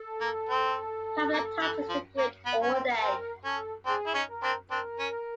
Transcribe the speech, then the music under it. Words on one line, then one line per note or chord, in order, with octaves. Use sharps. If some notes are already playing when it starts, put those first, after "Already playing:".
Pablo touches the grid all day.
Already playing: A4
A#3
C4
A#3
E3
F3
A#3
B3
C#4
C4
C4 A#4
C#4 A4
C4 D4 G#4
E4
C#4 D#4
A#4
C4 D4
C4 D4 A#4
C#4